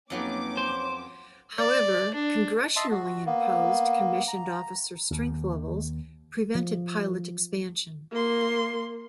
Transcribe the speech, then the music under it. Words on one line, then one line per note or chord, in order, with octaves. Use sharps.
However, congressionally-imposed commissioned officer strength levels prevented pilot expansion.
F2 F#3 A#3 B3 C#4 D#4 D6
C5
D5
D4
D#5 E5 A5 C6
F#4
A#3 B3
A#5
D#2
F3
A#3 C6